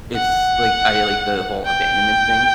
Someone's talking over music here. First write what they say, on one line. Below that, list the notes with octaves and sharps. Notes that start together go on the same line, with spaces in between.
it's like, I like the whole abandonment thing.
F#5
G5